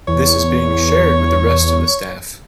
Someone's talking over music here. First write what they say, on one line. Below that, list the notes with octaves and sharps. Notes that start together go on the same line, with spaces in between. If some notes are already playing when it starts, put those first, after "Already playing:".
This is being shared with the rest of the staff.
E2 C#5